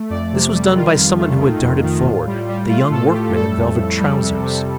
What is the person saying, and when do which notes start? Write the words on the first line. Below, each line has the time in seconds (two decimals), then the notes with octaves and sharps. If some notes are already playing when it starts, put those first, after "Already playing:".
This was done by some one who had darted forward,--the young workman in velvet trousers.
Already playing: A3
0.10 F2 D5
0.32 C3
0.53 G3
0.75 D#3 F4
0.97 F2
1.18 A3
1.40 D#3
1.62 F2
1.84 D#3
2.05 A2
2.27 G3
2.48 G3
2.70 A3 F4
2.91 A2 A4
3.13 A3 G4
3.35 G3 A4
3.57 F2
3.78 F2
4.00 G3
4.22 C3
4.43 C3